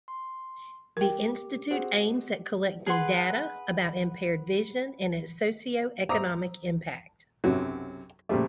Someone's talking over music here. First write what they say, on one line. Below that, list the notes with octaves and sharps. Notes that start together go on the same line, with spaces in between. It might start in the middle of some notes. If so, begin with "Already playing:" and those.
This institute aims at collecting data about impaired vision and its socio-economic impact.
C6
G4 A#4 G5
C4 F#4 G#4
G#4 B4 F#5 C6
C5 E5 A#5 D6 D#6
B1 F#2 C3 F#3
A#2 C#3 F3 G3 A3